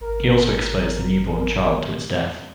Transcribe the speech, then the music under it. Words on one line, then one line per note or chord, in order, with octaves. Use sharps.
He also exposed the newborn child to its death.
G#1 A#4